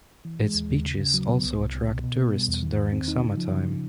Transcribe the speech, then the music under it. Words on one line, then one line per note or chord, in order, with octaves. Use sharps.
Its beaches also attract tourists during summer time.
E3
G#3
D#2
D#2
C#3
C#3
F#3
B3
C2
C2
C2
B2
B2
B3
G3
E2
D#3
D#3
C4
D#4
C#3
F3
C#3
C#3